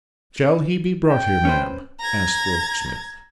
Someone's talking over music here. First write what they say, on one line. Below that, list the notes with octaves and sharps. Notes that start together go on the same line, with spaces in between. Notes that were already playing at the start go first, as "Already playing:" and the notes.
'Shall he be brought here, ma'am?' asked Rokesmith.
G5
C#4 B4 C5
A#5 G#6